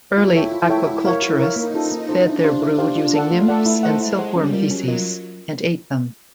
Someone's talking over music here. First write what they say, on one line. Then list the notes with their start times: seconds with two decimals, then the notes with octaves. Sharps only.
Early aquaculturists fed their brood using nymphs and silkworm feces, and ate them.
0.17 E4 F4
0.35 A4 C#5 E5 G5
0.52 F4
0.69 A4 C#5 E5 G5
0.87 F#4
1.05 A#4 C#5 F5
1.22 E4 F#4
1.39 A#4 C#5 F5
1.56 A#3 D#4
1.74 C#4 F4 A4 C5
1.92 A#3 D#4
2.09 C#4 F4 A4 C5
2.26 D4 E4
2.44 G4 C5 F5
2.61 D4 E4
2.78 G4 C5 F5
2.96 F4
3.13 A4 D5 F#5
3.31 A3 F4
3.48 A4 D5 F#5
3.66 E4
3.83 A4 C5 D#5 F#5
4.00 G#3 E4
4.18 A4 C5 D#5 F#5
4.35 G3 C#4
4.53 F4 A#4 D#5
4.70 F#3 C#4
4.88 F4 A#4 D#5